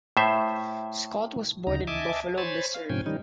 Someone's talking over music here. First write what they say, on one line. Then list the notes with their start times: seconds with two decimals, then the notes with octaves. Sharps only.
Scott was born in Buffalo, Missouri.
0.17 A2 C5 E5
1.67 D2 C#3 D#4 A#5
1.87 D#5 E5 G#5 A5 D6
2.38 C5 C#5 G#5 B5 A6
2.74 F5
2.90 G#2 C3 F3 C#4 G5 G#5
3.06 D#3 G3 C#4 D#4